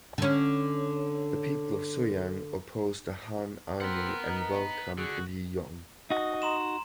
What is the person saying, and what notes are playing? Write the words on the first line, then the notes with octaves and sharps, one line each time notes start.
The people of Suiyang opposed the Han army and welcomed Liu Yong.
D3 C#4
C4 A#4 B4 F#5
D#4
D3 F#4 G#4
D#4 F#4 D#5
A#5 C6 E7